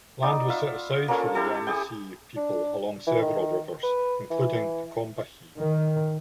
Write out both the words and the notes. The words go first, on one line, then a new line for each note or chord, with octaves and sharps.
Land was set aside for the Yemassee people along several rivers, including the Combahee.
B3 D#4 D5
F4 E5
A#3 C#4 F4 A4
E4 G4 A4
G4 G#4 G5
D4
E3
D#3
B4
E3
D#3